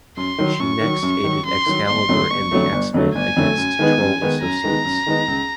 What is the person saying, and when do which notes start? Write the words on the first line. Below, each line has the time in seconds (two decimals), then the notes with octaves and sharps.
She next aided Excalibur and the X-Men against Troll Associates.
0.17 F#2 C6
0.38 D#3 F#3
0.60 F#2 C#6
0.81 D#3 F#3
1.03 F#2
1.24 D#3 F#3
1.45 F#2 C6
1.66 D#3 F#3
1.87 G1 C6
2.09 F2 D3 F#3 A3
2.30 G1 C#6
2.51 F2 D3 F#3 A3
2.72 G1
2.94 F2 D3 F#3 A3
3.15 G1 G#5
3.36 F2 D3 F#3 A3
3.57 F#2
3.79 D#3 G#3 B3 D#4
4.00 F#2
4.22 D#3 G#3 B3 D#4
4.43 F#2 A#5
4.64 D#3 G#3 B3 D#4
4.85 F#2
5.06 D#3 G#3 B3 D#4
5.28 C#2